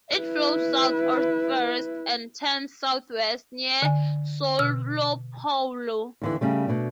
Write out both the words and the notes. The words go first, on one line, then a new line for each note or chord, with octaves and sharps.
It flows south at first, and turns southwest near Soulopoulo.
E4 B4
D3 G#5
B2 E6 F6
D#2 D3 E3
C#3 G3 A3
B2 A3 D4